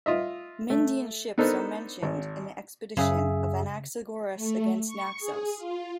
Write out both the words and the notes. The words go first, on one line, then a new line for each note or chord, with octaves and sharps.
Myndian ships are mentioned in the expedition of Anaxagoras against Naxos.
F4 D#5 E5
A3
B3 D4 D#4 A4 A#4 C5
G#1
F#2 C#3 G#4 E5
A3
C#6
G#4
F4